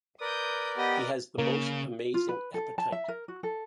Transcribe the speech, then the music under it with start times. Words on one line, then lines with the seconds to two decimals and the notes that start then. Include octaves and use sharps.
He has the most amazing appetite.
0.21 A#4 B4 D5 D#6 G6
0.77 B3 G4 D#5
1.38 C#3 A#3
2.14 F4
2.28 B4
2.54 A4
2.78 A5
2.92 E5
3.08 A#4
3.28 F#4
3.43 A4